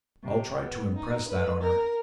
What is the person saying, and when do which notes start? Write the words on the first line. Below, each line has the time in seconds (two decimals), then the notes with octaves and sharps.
I'll try to impress that on her.
0.24 C3
0.61 B3
0.94 D#4
1.28 B4
1.60 A#4